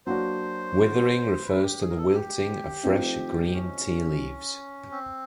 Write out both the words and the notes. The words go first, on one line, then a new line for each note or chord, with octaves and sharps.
Withering refers to the wilting of fresh green tea leaves.
F#3 A#3 D4 F#4 C5
B4
G4
G#4
A#4
A4
G4
F3 A3 C4 D#4
C#4
C4